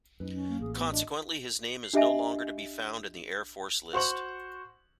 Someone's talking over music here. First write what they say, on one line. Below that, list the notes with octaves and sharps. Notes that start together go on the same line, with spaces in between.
Consequently, his name is no longer to be found in the Air Force List.
F#2 D#4 B4
C#4
A#3
A1 G#4
B3 E4 G4 C#5
D4 F#4 D#5
D4 G4 D#5 E5 G#5
F#4 C5 C#6 F#7